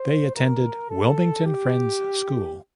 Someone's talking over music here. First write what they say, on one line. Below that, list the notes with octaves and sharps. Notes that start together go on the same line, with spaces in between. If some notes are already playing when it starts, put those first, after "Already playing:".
They attended Wilmington Friends School.
Already playing: C5
A#4
A4
G4